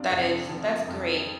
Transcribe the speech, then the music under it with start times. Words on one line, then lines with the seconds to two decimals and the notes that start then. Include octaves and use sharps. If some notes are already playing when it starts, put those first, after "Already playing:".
That is That's great.
Already playing: F2 C3 D4 F4
0.11 F2
0.49 F3
0.88 F2